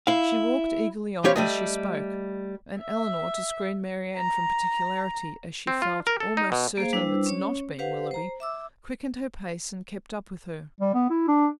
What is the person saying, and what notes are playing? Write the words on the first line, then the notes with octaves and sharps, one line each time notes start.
She walked eagerly on as she spoke; and Elinor, to screen Marianne from particularity, as she felt almost certain of its not being Willoughby, quickened her pace and kept up with her.
E4 F5
G3 C4 G4 C5 C#5 F5
G3 A3 D#5
E5
A#5
C4
F4
A#4
A4
D#4
B2
A#3 G#4 C5 F5
G3 D4 E4 B4 C5 E6
C#4 C#5
G4 B4 C5 F5 F#5
C5 A#5
E5 D6 E6
G3
B3
E4
D4